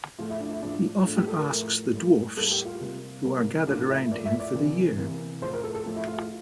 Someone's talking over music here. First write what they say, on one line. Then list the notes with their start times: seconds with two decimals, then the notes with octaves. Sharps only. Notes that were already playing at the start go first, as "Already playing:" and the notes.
He often asks the dwarfs who are gathered around him for the year.
0.19 A2 F3 A3 F4
0.30 E4
0.40 D4
0.51 E4
0.62 A2 F3 A3 D4
1.05 A2 F3 A3 D4
1.16 G4
1.28 A4
1.38 A#4
1.49 A2 F3 A3
1.93 A2 G3 A#3
2.37 A2 G3 A#3 A4
2.51 G4
2.65 F4
2.80 C3 G3 A#3
3.23 C3 G3 A#3
3.67 A2 F3 A#3 D4
3.90 E4
4.11 A2 F3 A#3 D5
4.25 E5
4.40 D5
4.55 C3 E3 A#3
4.98 C3 E3 A#3
5.41 A2 F3 A3 C5
5.53 A#4
5.63 A4
5.75 A4
5.86 A2 F3 A3
5.96 E4
6.07 F4
6.18 F4